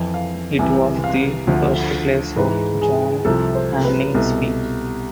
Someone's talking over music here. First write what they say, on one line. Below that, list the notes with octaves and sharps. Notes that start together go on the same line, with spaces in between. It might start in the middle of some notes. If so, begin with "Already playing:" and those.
It was the birthplace of John Hanning Speke.
Already playing: F2 E3
F5
C2 C3 E3 G#5
F5
D2 D3 F3
G#2 E3 B4
G#4
C2 C3 F3 A4
C5
B4
C2 B2 A4